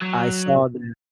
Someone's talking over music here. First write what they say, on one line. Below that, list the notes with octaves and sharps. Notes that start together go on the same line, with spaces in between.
I saw that,
F#3